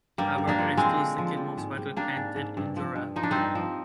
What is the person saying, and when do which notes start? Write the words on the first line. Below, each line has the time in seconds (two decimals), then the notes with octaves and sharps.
However, it is still the second most widely planted in Jura.
0.18 G2 G3 A#3
0.38 G2
0.48 A#3 D4
0.58 F3
0.77 F3 G#3 C4
0.97 D3
1.18 F3
1.37 G3
1.58 G#2
1.77 G3
1.97 G3 A#3 D4
2.17 G#2
2.36 G#2
2.57 G2
2.76 F3
2.96 G2
3.16 F3 D#4
3.23 D4
3.31 G2 C4 D#4
3.55 F3